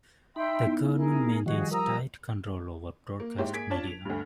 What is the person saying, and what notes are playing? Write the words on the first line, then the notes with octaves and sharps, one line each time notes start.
The government maintains tight control over broadcast media.
D#4 E5 G5 B5 C6
B3 D#4 E4
G#4 A#4
D#3 F3 G3 F#4 G#4 D#5
A#4 A#5 D#6 E6
A#3
G#2 E4 G4 C#5 C6
A#3 G#4 G#6 B6 D7
D4 F4 C#5 A5
F7
D2 G2